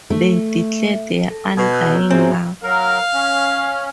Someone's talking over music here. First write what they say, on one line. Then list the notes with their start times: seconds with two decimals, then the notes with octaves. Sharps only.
They declare their undying love.
0.10 A3
1.30 A4
1.57 B2 G#6
1.72 E6 F#6 G6
1.94 B3 C#5 A#5
2.11 G#2 C4 F#4 E5 G#5
2.63 F#3 A#4 F5
3.14 C#4